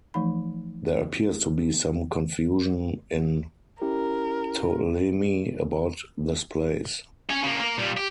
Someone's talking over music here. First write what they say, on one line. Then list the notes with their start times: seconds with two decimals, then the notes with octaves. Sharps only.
There appears to be some confusion in Ptolemy about this place.
0.14 E3 F3 A3 D#4 B5
3.82 C#4 E4 G4 A#4
7.30 C#4 G#5
7.44 C#3 A#3
7.60 A#3 A#4
7.78 A#2 G3
7.97 G4